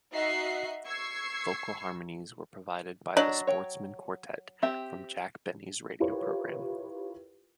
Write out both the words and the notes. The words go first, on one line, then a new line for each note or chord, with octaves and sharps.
Vocal harmonies were provided by The Sportsmen Quartet, from Jack Benny's radio program.
D#4 F#4 D#5 E5 F#6 C7
C#6 E6 G#6 C7
F#3 D4 D5 D#5
C#5 G5
C4 G4 E5
E4 F4 G4 A#4 B4 C#5